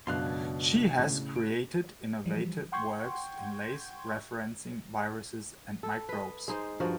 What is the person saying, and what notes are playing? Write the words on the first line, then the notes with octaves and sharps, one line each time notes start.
She has created innovative works in lace referencing viruses and microbes.
C#2 F#2 B2 D4 F5 C6 F#6
A2 C#3
F#6 D7
E3 F3 G3
F#5 G5 C6 C#6 G6 G#6
A4
B4 D#5
G#3 D#4 C5
G2 F3 F#4 A#4